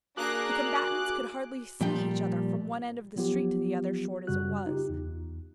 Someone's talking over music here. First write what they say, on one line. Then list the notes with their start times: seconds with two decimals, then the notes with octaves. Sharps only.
The combatants could hardly see each other from one end of the street to the other, short as it was.
0.17 A#3 D4 F#4 G#4 A#4 D6 F#6
1.81 A#2 F3 G3 G5
3.16 F3 F#3 B3 F4 G4
4.27 F#2 C#3 G3 F#4 F#6
4.67 D#4 F4 G4
4.90 E2